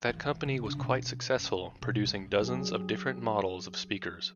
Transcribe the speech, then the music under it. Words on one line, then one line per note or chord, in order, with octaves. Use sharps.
That company was quite successful, producing dozens of different models of speakers.
E3
C#3
D4
B2
F#2
B2
G3
F#3 D4 G4 G#4